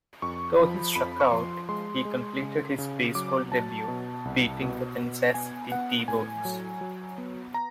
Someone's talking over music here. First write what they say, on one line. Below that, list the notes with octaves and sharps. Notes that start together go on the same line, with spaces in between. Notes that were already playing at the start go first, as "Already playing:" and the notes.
Though he struck out, he completed his baseball debut beating the Kansas City T-Bones.
F2 C#6
F3 B5
F2 B5
C#6
F3 C6
G#3 C6
G#3
C#3
C#3
F#3 D6
F#3 A5
B2
C2
B2
B2
B3 G#5
B3 F#5
A2 G#5
F#3
F#3
B3
A#5